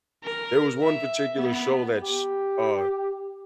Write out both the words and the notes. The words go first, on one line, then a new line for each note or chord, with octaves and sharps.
there was one particular show that's, uh,
A#4
E5
B3
G4